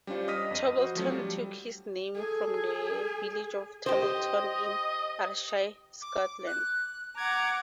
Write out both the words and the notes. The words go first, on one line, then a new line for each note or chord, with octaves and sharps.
Torbolton took its name from the village of Tarbolton in Ayrshire, Scotland.
G3 C#4 D4 F4 C5
D#5 D#6 F6 A#6 B6 D#7
F2 D#5 D#7
F#4 C5
F3 F#3 A3 C#4
G3
G#4 A4 G#5
G4 C5 D#5
D6
F#6
F#5 A#5 D6 G#6